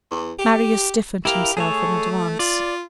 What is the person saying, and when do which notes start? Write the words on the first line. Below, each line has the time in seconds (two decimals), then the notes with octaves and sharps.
Marius stiffened himself in advance.
0.11 E2
0.39 G4
1.25 E4 G4 A#4 F5
1.57 A3 G#4 A4 C#5
2.39 F4 D5